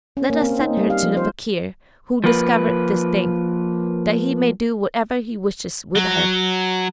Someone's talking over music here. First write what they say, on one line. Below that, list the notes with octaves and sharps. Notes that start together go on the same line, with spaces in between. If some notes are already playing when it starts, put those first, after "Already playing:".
"Let us send her to the fakir who discovered this thing, that he may do whatever he wishes with her."
C#4
A#3
C4
D#4
G3
F5
F3
C5
F3 A#3 B4
F#3